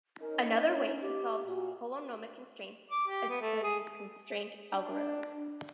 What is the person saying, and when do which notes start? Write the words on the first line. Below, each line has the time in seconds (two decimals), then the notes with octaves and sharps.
Another way to solve holonomic constraints is to use constraint algorithms.
0.21 C#4 D#4 A#4
0.66 C#5
1.02 G4
1.45 A#2 F#4
2.91 D6
3.08 G4
3.29 B3
3.41 A3
3.63 G#4
4.74 D4